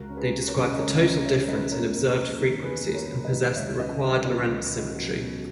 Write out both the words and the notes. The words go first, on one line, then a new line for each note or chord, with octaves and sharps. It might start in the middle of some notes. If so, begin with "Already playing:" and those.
They describe the total difference in observed frequencies and possess the required Lorentz symmetry.
Already playing: C#2 F#4 A#4
C#4
G#4 B4
G#3
A#4 C#5
C#3
D#5
C#2 A#4 C#5
C#4 B4 D#5
G#3 C#5 E5
C#3 B4 D#5
E2 A#4 C#5
A#3
F#3
D#3
E2 G#4 B4
A#3
A#4 C#5
F#3
B4 D#5
D#3
C#2 C#5 E5
C#4 B4 D#5
F#3
B2 B4 D#5
C#2
C#4
F#3
B2